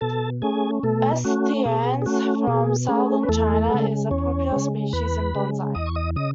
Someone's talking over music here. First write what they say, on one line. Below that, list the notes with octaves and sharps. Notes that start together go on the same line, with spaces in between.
"S. theezans", from southern China, is a popular species in bonsai.
B2 A4 A5
A3 C#4 G#4 G#5
B2 A3 A4
A3 C#4 F#4
B2 G#4
G#4
A3 C#4 F#4
B2 G#4
A3 C#4 G#4
B4
E2 A3 A4
C#3 G#3
E2 C#4 C#5
C#3 G#3
E2 B4 B5
C#3 G#3
E2 D#5 D#6
C#6
D#5 D#6
C#3 D#5 D#6